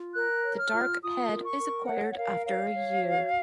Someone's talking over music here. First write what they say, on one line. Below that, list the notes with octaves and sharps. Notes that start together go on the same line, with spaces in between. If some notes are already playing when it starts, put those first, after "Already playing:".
The dark head is acquired after a year.
Already playing: F4
A#4 F#6
C#5
F6
F4
F4 D#6
A#4
C#6
A#4
C#5 F#5
F#5
A#4 F5
C#5 F5
C#5
F#4